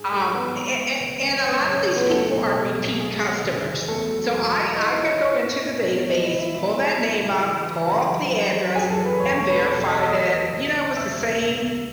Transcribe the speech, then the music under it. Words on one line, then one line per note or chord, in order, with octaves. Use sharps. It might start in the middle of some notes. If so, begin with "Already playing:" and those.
um, a a and a lot of these people are repeat customers, so, I I could go into the database, pull that name up, pull up the address and verify that, you know, it was the same
Already playing: G#2 G#4
G#2 A3 A4
G#1 B3 B4
G#1
A3
C#2
F#2 C#4 C#5
F#2
C#3 C#4 C#5
A3 A4
F#2
B3 B4
A3 A4
B1
B1
B1
G#3 G#4
G#3
F#1
E3
E2 A3 A4
F#3
E1
E1
D#4 E4 D#5
E4 E5
D#3 C#5
D#4 D#5
C#4 C#5
G#2
B2
B1
E3 D#4 D#5
E4 E5
G#1
E4 E5
B3 E4 E5
G#2
F#3
C#3
E3
E3
F#1 F#4 F#5
F#3
F#3
F#3
F#2 G#4 G#5
A4 A5
E3
B4 B5
E1 C#5 C#6
C#5 C#6
E1
B4 B5
B1 A4 A5
E3 D#5 D#6
E6
A3 D#5 D#6
D#2
F#1
F#1
E1 E5 E6
D#2
C#2
C#2